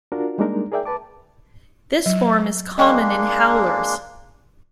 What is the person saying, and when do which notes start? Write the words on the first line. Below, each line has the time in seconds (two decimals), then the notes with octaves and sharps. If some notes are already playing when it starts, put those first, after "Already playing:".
This form is common in howlers.
0.12 D4 F4 F#4 A#4
0.38 G3 G#3 A#3 D4 D#4 A#4
0.72 G#4 A#4 D5 E5 G5
0.85 B4 A5 D6
2.06 F#3
2.78 G#3 A#3 D4 D#5 G5